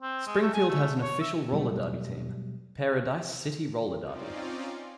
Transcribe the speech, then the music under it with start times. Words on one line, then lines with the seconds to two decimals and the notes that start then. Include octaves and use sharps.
Springfield has an official roller derby team: Pair O Dice City Roller Derby.
0.02 C4
0.27 G#3
0.41 A3
0.54 G#5
0.69 A3
1.01 C#5
1.21 E5
1.52 B2 F#3 G3 A3
4.01 C4 C#4 D#4 F4 D5